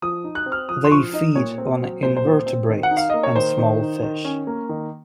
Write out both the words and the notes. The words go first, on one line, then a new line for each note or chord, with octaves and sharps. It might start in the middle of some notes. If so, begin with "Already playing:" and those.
They feed on invertebrates and small fish.
F3 D#6
D#4
F#6
C4
F6
F3 D#6
C6
F3 C#6
D#4 D#5
A#2 C#5
C4
F#3
A#2 C5
C5
A#2
C4
D#3
F#5
D#4
F5
A#3 D#5
C#5
D#3 C5
D#3
D#4
D#3
C#4
A#3
D#3